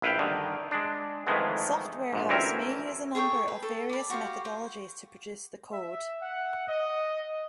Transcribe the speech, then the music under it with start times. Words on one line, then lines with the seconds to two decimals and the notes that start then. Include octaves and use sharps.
Software house may use a number of various methodologies to produce the code.
0.02 A#1 E4 B4 F5 G5
0.19 G2 D3 D#3
0.71 G#3 D4
1.27 F2 D#3 E3 G#3 A3 B3
2.13 A#1 G#2
2.29 D2 E3 C4 C#4 A#4 E5
3.15 G#4 A4 C#5 G5
3.48 B4
3.62 A4
3.89 D5 B5
4.10 F#4 G4 C5 F5
4.45 C5
5.72 E5
6.21 F#5
6.68 D#5